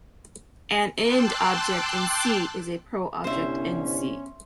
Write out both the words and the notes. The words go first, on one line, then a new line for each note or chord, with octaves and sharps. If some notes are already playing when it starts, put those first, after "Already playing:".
An ind-object in "C" is a pro-object in "C".
G5 A5 C6 D6 E6 F#6
G1 C2 C#4 C5 E5